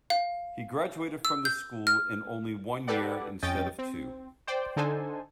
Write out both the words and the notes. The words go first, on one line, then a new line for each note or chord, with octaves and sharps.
He graduated from this school in only one year instead of two.
F5
E6
G6
F6
G4 A4 B4 D5 F#5
F2 C#4 D#5 G5 A6
C4
C5 D5 G5
D3 D4 D#4 A4 C5 G#5